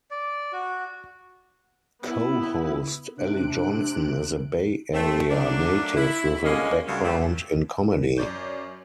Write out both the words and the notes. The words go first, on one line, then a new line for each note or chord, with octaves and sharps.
Co-host Ally Johnson is a Bay Area native with a background in comedy.
D5
F#4
B3 E4
C3 D4 F#6 D7
A3 C4
F#3 A3 A#3 D4
E4
A#2 D3 G#3 A#3 C#4 D#5
D2 C#3 G3
F3 A3 A#3 C4
F#2 C#5 D5 G6